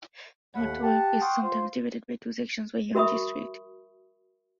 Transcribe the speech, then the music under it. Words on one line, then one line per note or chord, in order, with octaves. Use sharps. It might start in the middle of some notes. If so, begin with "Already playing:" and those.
North York is sometimes divided by two sections by Yonge Street.
D#2 A2 F#5 B5
G4 F#5 A5
F#5 G5 C6 C#6 D#6 F6
F4 C5
F#4 A#4 E5 B5 C#6 D#6